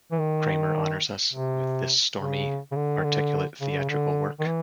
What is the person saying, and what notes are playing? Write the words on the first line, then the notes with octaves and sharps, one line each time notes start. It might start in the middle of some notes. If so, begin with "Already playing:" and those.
Kramer honors us with this stormy, articulate theatrical work.
E3
D#3
C3
C#3
C#3
D3
D#3
D3
C#3
D3
C#3
D3
D#3
E3